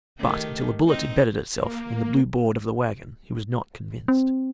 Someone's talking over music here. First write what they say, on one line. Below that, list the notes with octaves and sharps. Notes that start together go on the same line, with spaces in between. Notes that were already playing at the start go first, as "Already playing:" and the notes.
But until a bullet embedded itself in the blue board of the wagon he was not convinced.
D#3 A3 G4
C4 D#4
A#3
C4